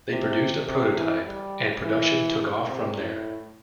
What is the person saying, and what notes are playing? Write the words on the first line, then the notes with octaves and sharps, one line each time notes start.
They produced a prototype and production took off from there.
C3
C3
E3
G3
E3
C3
A2